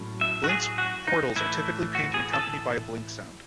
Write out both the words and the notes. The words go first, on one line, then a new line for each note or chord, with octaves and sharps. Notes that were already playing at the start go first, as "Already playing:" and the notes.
Blink's portals are typically pink and accompanied by a "Blink" sound.
Already playing: A2 F#3 C#4
E5
F#4
G#4
F#4
D#4
A2 E3 A3 E4
F#4
G#4
A4